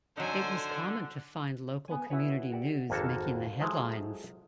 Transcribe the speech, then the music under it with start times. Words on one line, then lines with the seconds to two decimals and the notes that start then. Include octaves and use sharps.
It was common to find local community news making the headlines.
0.17 D3 F#3 D#4 C5 G#5
1.88 B3 G#5
2.10 E4 F#4 B4 C#5
2.52 F#4 G4 D5
2.90 G#1 F2 A#3 F#4 A4
3.59 F3 F#3 G#3 E4 A4 C5